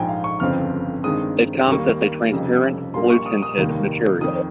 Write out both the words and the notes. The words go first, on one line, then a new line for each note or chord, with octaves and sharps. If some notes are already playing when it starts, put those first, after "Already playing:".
It comes as a transparent blue-tinted material.
Already playing: A#1 G#2 F3 G5 G#5
F5
C#6
G1 F2 C#3 F3 C4 F6
G2 D#3 G#3 C4 D#6
D#2 D#3 G3 A#3 C#6
F1 F2 C#3 G3
A#1 A#2 G3 A#3 C6
C#6
D#6
D#6
F1 D#2 D#3 G3 A#3
F2 D#3 D#6